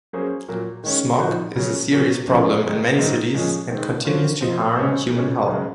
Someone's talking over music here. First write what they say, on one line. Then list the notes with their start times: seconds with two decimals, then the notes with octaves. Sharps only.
Smog is a serious problem in many cities and continues to harm human health.
0.13 F#3 A#3 C#4 G#4 C5
0.48 A#2 F#3 A#3
0.84 D#3 G#3 C#4
1.20 A#2 F3 C4 D#4 F#4
1.56 C#3 F#3 C#4
1.92 A#2 F#3 A#3 C#4 F4
2.27 A#2 F3 G#3 C#4
2.62 G#2 D#3 G#3
2.98 G#2 F#3 C4 D#4 A#4
3.34 A#2 F3 G#3 C#4 G#4
3.70 D#3 G#3 C4 D#4
4.05 F#3 C#4 F4 C5 F5
4.40 F3 C4 F4 C5 D#5
4.76 C#3 G#3 C#4 G#4 C5
5.11 A#2 G#3 C#4
5.48 F#2 C#3 G#3